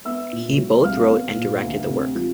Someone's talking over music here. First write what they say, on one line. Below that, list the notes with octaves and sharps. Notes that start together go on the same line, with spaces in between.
He both wrote and directed the work.
B3 E5 E6
A#2
F#3
C2 F5 F6
B3
A#2
D2
C3
F3